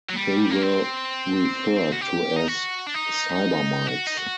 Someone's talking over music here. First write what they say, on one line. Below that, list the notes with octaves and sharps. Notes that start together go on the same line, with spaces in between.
They were referred to as cybermites.
F#3
G3
A#3
C4
F#4
G4
D#4
F#4
D4
D#4
F#4
D#4
F#4